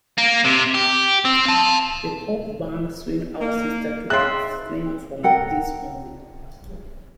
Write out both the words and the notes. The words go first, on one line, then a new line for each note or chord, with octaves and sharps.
The pop band Swing Out Sister took its name from this movie.
A#3
C3
G4
C4
F5 A5
A#3
C4 D#4 G#4 C#5 E5 F5 C6 F#6
A4 A#4 F#5 G5